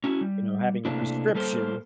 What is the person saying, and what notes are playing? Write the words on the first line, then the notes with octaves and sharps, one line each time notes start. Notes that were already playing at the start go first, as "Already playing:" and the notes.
you know, having a prescription,
C#4 E4 F#4
G3
C3 E3 A3 A#3 D4 E4
G3 A#3 A4 A#4 C5